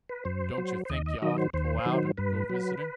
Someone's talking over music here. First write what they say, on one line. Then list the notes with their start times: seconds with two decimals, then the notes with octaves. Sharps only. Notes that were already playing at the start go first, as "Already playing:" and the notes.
"Don't yuh think yuh ought to pull out and go visiting?"
0.09 B4
0.25 F#2 C5
0.58 F#3
0.85 C5
0.90 D#2 D#5
1.06 D#5
1.22 D#3 F#3 D#5
1.38 C5
1.53 D#2 C5
1.86 D#3 F#3
2.18 G2 B4
2.50 F#3